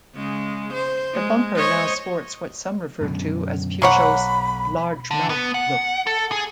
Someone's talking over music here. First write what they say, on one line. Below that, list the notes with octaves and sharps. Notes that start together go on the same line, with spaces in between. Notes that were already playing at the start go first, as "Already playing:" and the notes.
The bumper now sports what some refer to as Peugeot's "large mouth" look.
C#3 G#3
C5
G#3
C5 C#5 D#5
F#2 B2 D3
B1 A#3 C#5 F#5 B5
D3
B3
F#5
A4
G#4